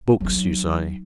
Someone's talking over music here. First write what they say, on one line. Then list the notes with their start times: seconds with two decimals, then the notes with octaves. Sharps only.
"Books," you say.
0.20 F#3 D#4